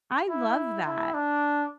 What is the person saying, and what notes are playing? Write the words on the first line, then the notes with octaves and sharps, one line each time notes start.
I love that,
E4
E4
D4